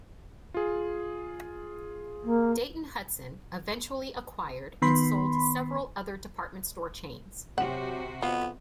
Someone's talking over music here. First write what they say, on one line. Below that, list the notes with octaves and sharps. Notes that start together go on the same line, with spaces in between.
Dayton-Hudson eventually acquired and sold several other department store chains.
F4 G#4
A#3
D#3 B3 B5 C6
C3 F#3 C4 F#4 G4 F#5
F2 B3 F4